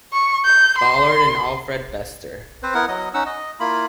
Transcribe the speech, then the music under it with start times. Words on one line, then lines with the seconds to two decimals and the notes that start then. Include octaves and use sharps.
Ballard and Alfred Bester.
0.13 C#6
0.45 G6
0.78 C6
2.63 C4 B4 C5
2.74 B3 E4 A#4 F#5
2.88 F#3 D#5 D#6
3.14 C#4 D#4 F#5 E6
3.26 D#5
3.60 A#3 E4 F4 B5